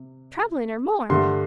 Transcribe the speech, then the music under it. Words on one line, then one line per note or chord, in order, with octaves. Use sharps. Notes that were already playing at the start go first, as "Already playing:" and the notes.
Trebling, or more.
Already playing: C3
G2 D3 A3 C6